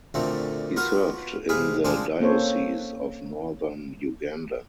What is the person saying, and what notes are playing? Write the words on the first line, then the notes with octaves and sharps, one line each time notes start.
He served in the Diocese of Northern Uganda.
D2 A#2 D3 A3 C4
B3 F4 F#4 A#4 C#6
C3 G#3 G#4 B4 F5
F3 G#3 A#3 C4 D4 C5
A#3 C4 C#4 A4 C5 C#5